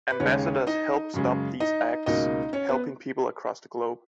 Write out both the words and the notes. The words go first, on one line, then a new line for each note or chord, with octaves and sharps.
Ambassadors help stop these acts, helping people across the globe.
B4
D#2 C#3 G#3 C#4 C#5
D#4 D#5
F#2 C#3 G#3
D#4 D#5
C#2 B2 A#3 D#4 D#5
C#4 C#5
B3 B4